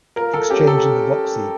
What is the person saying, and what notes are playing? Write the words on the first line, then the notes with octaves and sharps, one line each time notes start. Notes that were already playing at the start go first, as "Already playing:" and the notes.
Exchange, and The Roxy.
F4 A#4
A4
C#4 G4
A4